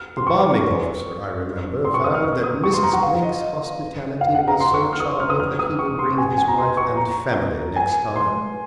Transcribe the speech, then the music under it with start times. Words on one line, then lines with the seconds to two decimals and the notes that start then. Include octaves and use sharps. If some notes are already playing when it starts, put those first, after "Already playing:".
The bombing officer, I remember, vowed that Mrs. Blake's hospitality was so charming that he would bring his wife and family next time.
Already playing: F6
0.17 C6
0.27 C#6
1.85 C6
1.94 C#6
2.04 D#6
2.14 F6
2.24 F6
2.43 D#6
2.64 C#6
2.73 C6
2.83 A#5
2.93 F#5
3.03 F5
3.22 D#5
4.21 F5
4.35 F#5
4.48 A#5
4.60 C6
4.74 C#6
4.92 F6
5.00 D#6
5.20 F6
5.30 D#6
5.39 F6
5.59 D#6
5.79 C#6
5.99 C6
6.18 G#5
6.38 G#5
6.48 A#5
6.58 C6
6.77 C#6
6.97 A#5
7.76 G#5
8.16 C6